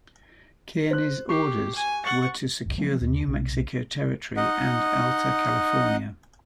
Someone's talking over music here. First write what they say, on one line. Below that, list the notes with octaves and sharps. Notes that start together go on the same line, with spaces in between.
Kearny's orders were to secure the New Mexico territory and Alta California.
C5 F#6
G4 C#6 C7
G#5
F#5 C#6 A6 F#7
F#1 C#2
F3 F#3 A3 C4
D#2
B1 C3
D#4 D#5 F#5